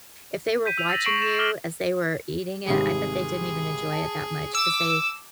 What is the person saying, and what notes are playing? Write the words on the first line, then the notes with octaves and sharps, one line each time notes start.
if they were watching you as they were eating it, I bet they didn't even enjoy it that much, 'cause they
G6 B6 D#7
E6 G6 F7
E6 A6 A#6 F#7
C#6 A#6 C7 D7 E7 F#7
E7
D6 E6 F6 A#6 E7 G7
G#1 C3 G3 G#4
A5
D6 E6